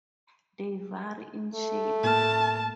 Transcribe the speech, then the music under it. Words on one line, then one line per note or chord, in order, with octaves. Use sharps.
They vary in shape.
A3
A2 A#3 A5 F6